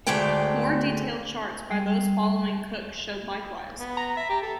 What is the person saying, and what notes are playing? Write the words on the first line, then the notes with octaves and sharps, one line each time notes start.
More detailed charts by those following Cook showed likewise.
D2 G#2 G#3 A3 D4 G5
G3
B3
A#5
E5
G4
A4